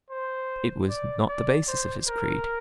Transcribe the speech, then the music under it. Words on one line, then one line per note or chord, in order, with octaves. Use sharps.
It was not the basis of his creed.
C5
D5
D5
C5
A#4